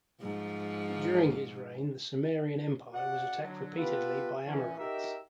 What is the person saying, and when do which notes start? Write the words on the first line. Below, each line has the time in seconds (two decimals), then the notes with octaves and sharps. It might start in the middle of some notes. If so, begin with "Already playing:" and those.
During his reign, the Sumerian empire was attacked repeatedly by Amorites.
0.21 G#2 F3
2.93 C#3 F#4 D5 F#5
3.41 D3 F#3
3.77 B3 F4 G4 A4 B4
4.46 E3 C#4
4.78 D#4 F#4 G4 A#4 E5